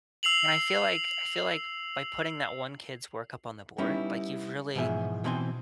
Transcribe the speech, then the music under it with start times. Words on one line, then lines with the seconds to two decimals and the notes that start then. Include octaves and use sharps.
and I feel like I feel like by putting that one kid's work up on the board, like, you've really
0.23 E6 C7 F7 F#7
3.78 G3 B3 C#4 D#4 E4
4.75 G#2 B2 E3 F3 G#4 E5
5.24 B2 E3 C4 C5 D5 G#5